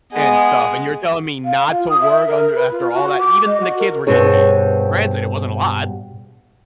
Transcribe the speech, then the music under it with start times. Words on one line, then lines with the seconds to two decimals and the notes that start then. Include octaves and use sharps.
and stuff, and you're telling me not to work under after all that. Even the kids were getting paid. Granted, it wasn't a lot,
0.13 G#3 B3 D#5
1.45 F5
1.71 F4
1.89 D#6
2.01 E5
2.26 A#4
2.55 B4
2.71 F4
2.93 F#4
3.19 D6
3.46 D#5
3.60 F#4
3.78 A#4
4.07 G2 B2 C4 G#4 C#5